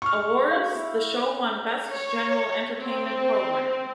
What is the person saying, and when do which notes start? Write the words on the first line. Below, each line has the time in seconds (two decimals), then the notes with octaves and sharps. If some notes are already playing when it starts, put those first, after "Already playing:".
Awards, the show won "Best General Entertainment Program".
0.02 C#6 F6
0.51 F#4 G#4 F5
0.75 E4
1.89 C#5
2.81 C4